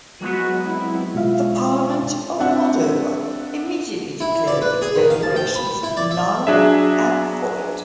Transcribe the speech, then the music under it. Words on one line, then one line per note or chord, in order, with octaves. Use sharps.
The parliament of Moldova immediately declared these declarations null and void.
F#3 G#3 B3 F#4
C4 E4
B2 G#3 F4 E5 F5
C4 D4 E5 F#5
E4
D5
B4
G#4
D#3
F5
A5
G5
B5
E4
D5
E5
F#3 D4 G#4 E5